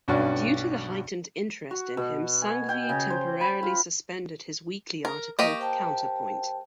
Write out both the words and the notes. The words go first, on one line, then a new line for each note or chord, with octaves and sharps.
Due to the heightened interest in him Sanghvi temporarily suspended his weekly article "Counterpoint".
B1 G2 C#4 F#4 D5 F#5
F#4
B2
G#5
G5
C#3
C5
B5
F4
A#4
A#3 G4 D#5 C#6 D6
C5 G5 A5